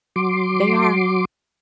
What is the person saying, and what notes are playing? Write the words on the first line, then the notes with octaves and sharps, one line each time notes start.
They are.
F#3 C6 D6